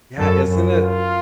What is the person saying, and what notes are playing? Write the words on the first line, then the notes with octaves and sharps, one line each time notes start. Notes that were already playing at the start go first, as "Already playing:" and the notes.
Yeah, isn't it?
F#2 A4
F#2
F4